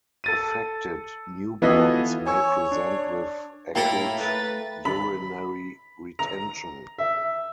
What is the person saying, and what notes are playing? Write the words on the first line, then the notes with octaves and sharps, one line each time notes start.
Affected newborns may present with acute urinary retention.
A4 A6 D#7
E3 B3 F4 F#4 A4 D#5
C#5 G#5 C#6 E6
D4
A2 A#3 E4 A4 A#4 G5 B5
A3 B4 A6
B5
A#5
E5